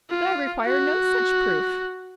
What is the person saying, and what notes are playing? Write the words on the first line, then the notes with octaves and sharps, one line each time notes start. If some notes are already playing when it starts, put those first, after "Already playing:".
But I require no such proof.
F4
F#4